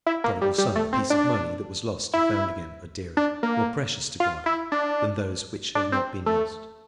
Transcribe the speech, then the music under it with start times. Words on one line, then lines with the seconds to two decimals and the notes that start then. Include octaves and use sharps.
The prodigal son, the piece of money that was lost and found again, are dearer, more precious to God than those which have not been lost.
0.07 E4
0.24 A#3
0.41 G3
0.58 G3
0.76 A3
0.93 C4
1.10 D4
2.13 E4
3.17 D4
3.43 A#3
4.20 F4
4.46 E4
4.72 D4
5.75 D4
5.92 C4
6.26 A3